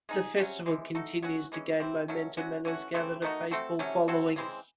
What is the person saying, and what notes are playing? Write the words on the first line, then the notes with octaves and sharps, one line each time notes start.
The festival continues to gain momentum and has gathered a faithful following.
G#3 D#4 G#4
C3 F#3 C#4
C3 E3 G#3
A3 D#4 F#4 A4
F#3 C#4 F#4
E3 G#3 C#4
C3 E3 C4
D#3 F#3 A3 C#4
C3 F#3 C#4 F#4
E3 A3 C#4 F#4
C#3 E3 A3 C4
D#3 A3 D#4 F#4
A3 C4 F#4 A4
C3 F#3 A3 C#4
F#3 C4 F#4 A4
C#3 E3 G#3 C4